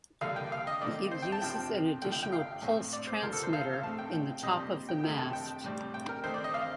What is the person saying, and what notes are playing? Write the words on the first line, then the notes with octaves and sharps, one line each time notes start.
It uses an additional pulse transmitter in the top of the mast.
D3 G3 A#3 F5
G5
F5
D#5
D#3 A3 C4 D5
C5
G5
A5
C3 F3 C4 G5
D3 F3 A3 G5
G5
G5
F5
A2 A3 C4
D5
C5
D3 F3 A#3 A#4
A4
C5
F5
F5
A2 A3 C4 A5
G5
G5
A#2 G3 C4 D#5
G5
C3 D#3 A3 C4 G5
A5
G5
A2 G3 C4
G5
A#4
D#3 A3 C4 C5
D5
D#5
F5